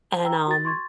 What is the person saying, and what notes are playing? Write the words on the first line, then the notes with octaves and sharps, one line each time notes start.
And, um,
G5 A#5 E6
F#4 A6
C6 C#6 G#6 A6